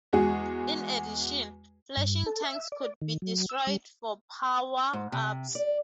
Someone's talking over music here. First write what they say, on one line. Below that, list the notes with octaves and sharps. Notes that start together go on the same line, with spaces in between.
In addition, flashing tanks could be destroyed for power-ups.
E2 G#3 F#4 G#4
G2
A4
E5
D5
D#3
F#3
E6
G3
G#2
C3
D5